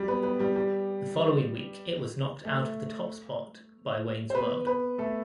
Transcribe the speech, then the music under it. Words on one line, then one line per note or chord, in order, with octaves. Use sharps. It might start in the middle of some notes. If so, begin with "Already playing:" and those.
The following week it was knocked out of the top spot by "Wayne's World".
Already playing: F#3 G3 G4
B3 B4
B3 B4
G3 G4
G3 G4
A3 A4
C5
B3 B4
B3 B4
A3 A4